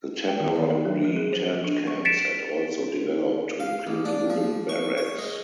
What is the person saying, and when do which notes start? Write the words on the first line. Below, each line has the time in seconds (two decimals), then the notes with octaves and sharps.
The temporary tent camps had also developed to include wooden barracks.
0.28 G5
0.40 D#3
0.56 D5
0.70 G4
0.85 F#3
1.05 F3
1.16 G#4
1.33 C5
1.52 F3
1.64 D4
1.87 C#6
2.05 A6 B6 C#7 D7 E7
3.60 F5
3.87 A1
4.05 D4
4.30 F3
4.69 C#6
4.98 C#5
5.18 G#3